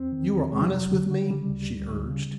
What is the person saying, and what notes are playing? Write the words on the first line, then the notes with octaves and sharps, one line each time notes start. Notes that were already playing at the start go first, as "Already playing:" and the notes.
"You are honest with me?" she urged.
Already playing: E2 C4
D#3
E2
C3 G#3
G3
F2 F#3
D3
D3
C#3 G3
D2
D2
D2
C#3